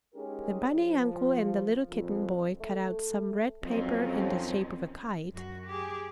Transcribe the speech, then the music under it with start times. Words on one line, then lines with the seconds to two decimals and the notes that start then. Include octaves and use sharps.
The bunny uncle and the little kitten boy cut out some red paper in the shape of a kite.
0.15 G#3 C#4 D#4 G4 G#4 A#4
0.75 F3
1.89 A#1 F2
2.61 A3
3.63 F2 D#3 F#3 C4 C#4
5.32 F#2 F#4
5.66 G4 G#4